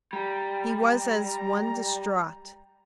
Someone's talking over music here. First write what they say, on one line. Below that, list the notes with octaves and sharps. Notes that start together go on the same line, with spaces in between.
He was as one distraught.
G3 A#5